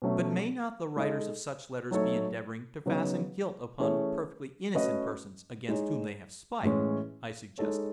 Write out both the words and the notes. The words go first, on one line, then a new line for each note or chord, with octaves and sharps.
"But may not the writers of such letters be endeavouring to fasten guilt upon perfectly innocent persons against whom they have spite?" I suggested.
B2 F#3 A3 C#4
G#3 D#4 A4 D#5
F#3 A3 D#4 A4 C#5
C#3 F#3 B3 D#4
E3 A3 C#4 G#4 C#5
A3 C#4 F#4 B4 D#5
G#3 D#4 G#4 C#5
A2 E3 G#3 C#4
G#3 D#4 A4 C#5